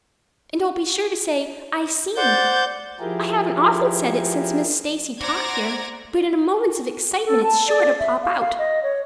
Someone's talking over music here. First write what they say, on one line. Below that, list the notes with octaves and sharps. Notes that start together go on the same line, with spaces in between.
And I'll be sure to say 'I seen.' I haven't often said it since Miss Stacy taught here; but in moments of excitement it's sure to pop out.
C5 D5 F#5 G6 A6
F3 E4 G4 G#4 A#4
C5 D5 F#5 A#5 G#6 A#6
A4
A5
D5
E5
F5
F5
D#5
C#5